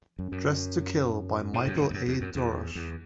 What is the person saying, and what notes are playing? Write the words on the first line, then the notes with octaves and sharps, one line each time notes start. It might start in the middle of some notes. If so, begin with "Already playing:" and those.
Dressed to Kill by Michael A. Dorosh.
F#2
F#2
A2
F#2
A2
F#2
E2
F#2
E2
F#2
E2
E2